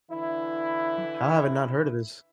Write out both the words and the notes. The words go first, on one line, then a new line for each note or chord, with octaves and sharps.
How have I not heard of this?
D3 E3 E4